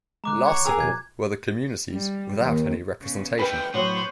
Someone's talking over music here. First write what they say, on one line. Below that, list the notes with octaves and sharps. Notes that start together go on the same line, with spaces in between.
Last of all, were the communities without any representation.
D3 G#3 A#5 D6 F#6
D3 C#5 F#5
G#4 A#4 E6
B2 F3 F4 G#6
G3
D#2
C#3 B3
A2 F3 B4 G5 B5
A2 F#3 B3 F#4 C5 C#5